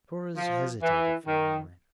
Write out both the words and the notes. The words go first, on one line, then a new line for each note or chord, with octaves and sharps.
Torres hesitated for a moment.
F3
E3
D#3